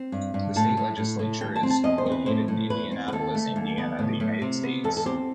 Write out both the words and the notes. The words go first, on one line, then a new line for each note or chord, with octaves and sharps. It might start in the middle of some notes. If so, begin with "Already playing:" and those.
The state legislature is located in Indianapolis, Indiana, the United States.
Already playing: C4
G2
G2
A2 A5
A2
A2
A2
D#2 G5
A5
C4
A5
E2 D#5
C5
C4
B4
A2 C5
A2
E2 B4
C4
B4
D#2 A4
A3
D#2
B3
A2
A2
C3
B3
E2 A4
A4
C4 G4